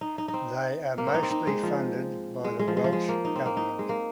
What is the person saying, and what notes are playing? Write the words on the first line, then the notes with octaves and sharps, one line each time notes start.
They are mostly funded by the Welsh government.
D#4
D#4
D#4
C4
A#3
C4
D#4
C4
D#4
G#3
F3
G#3
G#3
F3
G#3
F3
G#3
A#3
D#4
C4
A#3
D#4
G#3
A#3